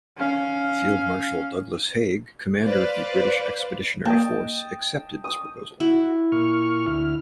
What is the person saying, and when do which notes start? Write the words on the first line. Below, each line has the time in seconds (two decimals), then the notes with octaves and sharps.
Field Marshal Douglas Haig, commander of the British Expeditionary Force, accepted this proposal.
0.18 C#4 F5
2.63 B4 C5 D5 F5
4.06 A#3 D#5 G5 A5
5.24 D#6
5.80 E4 F#4
6.32 A#2 C#6 F6
6.87 D2 E4 F6